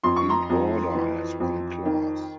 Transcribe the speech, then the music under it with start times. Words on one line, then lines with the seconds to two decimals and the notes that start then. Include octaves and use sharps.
The order has one class.
0.04 F2 C6
0.16 C#6
0.29 A#5 C6
0.50 F2
0.95 E3
1.40 F2
1.85 D#3